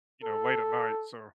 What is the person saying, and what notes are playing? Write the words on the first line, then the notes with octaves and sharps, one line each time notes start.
you know, late at night. So
A4